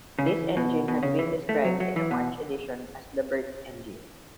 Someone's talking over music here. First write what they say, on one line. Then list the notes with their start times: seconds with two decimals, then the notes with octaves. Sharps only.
This engine had been described in the March edition as the 'Burt' engine.
0.19 C#3
0.26 E3
0.57 B2
0.88 B2
1.03 C#3
1.19 E3
1.49 A3
1.64 F#3
1.80 F#3
1.96 E3
2.11 B2